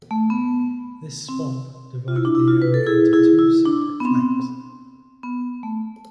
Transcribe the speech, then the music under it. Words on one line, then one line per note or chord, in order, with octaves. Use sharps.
This swamp divided the area into two separate flanks.
A3
B3
C4
F4
E4
D4
E4
F4
B4
A4
E4 G#4
E4 G#4
E4
D4
B3
C4
B3
A3